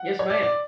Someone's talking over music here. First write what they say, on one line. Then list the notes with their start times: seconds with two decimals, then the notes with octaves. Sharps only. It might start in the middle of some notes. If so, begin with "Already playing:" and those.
Yes, ma'am.
Already playing: F#5
0.19 C#5
0.30 D5
0.43 D5